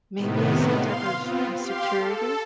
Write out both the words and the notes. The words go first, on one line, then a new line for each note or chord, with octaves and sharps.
maybe some type of insecurity.
A2 C3 D#3 B3
F5 C6
B3 C4 F4
G4 F5 C6
A4